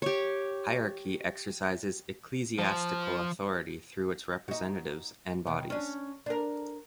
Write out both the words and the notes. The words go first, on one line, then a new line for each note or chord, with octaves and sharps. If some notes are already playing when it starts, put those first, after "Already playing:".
Hierarchy exercises ecclesiastical authority through its representatives and bodies.
G4 C#5
F3
D#4 F#4
B2 D#3
C#4 D4
D4 A#4